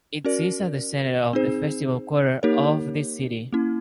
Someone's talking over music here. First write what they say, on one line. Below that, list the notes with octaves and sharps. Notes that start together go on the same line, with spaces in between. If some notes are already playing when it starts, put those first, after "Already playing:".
It sits at the center of the festival quarter of the city.
C#4 F#4 A#4 D5
C4 D#4 G#4 C5
A#3 D#4 G4 A#4 C#5
A#3 C#4 E4